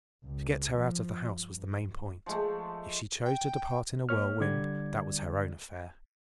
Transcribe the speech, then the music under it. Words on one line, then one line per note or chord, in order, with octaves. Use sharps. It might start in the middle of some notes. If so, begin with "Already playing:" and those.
To get her out of the house was the main point; if she chose to depart in a whirlwind, that was her own affair.
C#2
F3
G2
F3 G#3 A3
G5
A#3 C#5 F6
D3 G3 D5 G#6